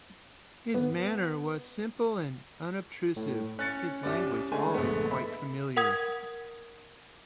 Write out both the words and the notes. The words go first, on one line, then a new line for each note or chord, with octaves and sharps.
His manner was simple and unobtrusive, his language always quite familiar.
B3
A2
C#4 F#6 A6 C#7
C2 G3 D5
D3 G#3 A3 G#5
A#1 B3
E5 B5
A#4 F#5 D#6 G#6